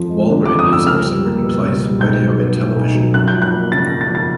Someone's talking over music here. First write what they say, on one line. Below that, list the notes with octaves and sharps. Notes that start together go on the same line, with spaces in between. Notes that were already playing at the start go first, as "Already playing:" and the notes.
Wahlgren has also written plays for radio and television.
Already playing: F2 F3
G#3
D3
F2 D6
D#6
F3
E6
C#2 F6
G3
A#3
B2
C#2
G3
B1 G6
F#3
B3
A2
B1
F#3
F#2 F#6
G6
F3
F#6
A#3
C#3 A6
F#2 A#6
A6
F3
A6